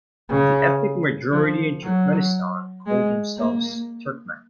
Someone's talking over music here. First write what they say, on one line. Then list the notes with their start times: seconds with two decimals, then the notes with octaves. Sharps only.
The ethnic majority in Turkmenistan call themselves Turkmen.
0.29 C#3
1.31 F3
1.83 F#3
2.87 G#3
3.38 A#3